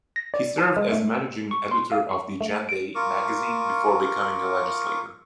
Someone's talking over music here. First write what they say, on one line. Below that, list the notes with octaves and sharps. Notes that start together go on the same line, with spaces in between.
He served as managing editor of the "Gendai" magazine before becoming a legislator.
A#6
D5
A5
G#3
A3
E6
C#6
C6
F5
C#6
A3
D7
F4 A#4 C#6 D6